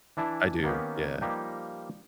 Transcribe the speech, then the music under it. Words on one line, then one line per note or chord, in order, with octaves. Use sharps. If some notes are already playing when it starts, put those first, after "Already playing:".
I do, yeah.
E3 D4 E4 G#5 A5
D#3 A#3 B3 C#4 G4
F3 G3 A#3 D#4 G4 B4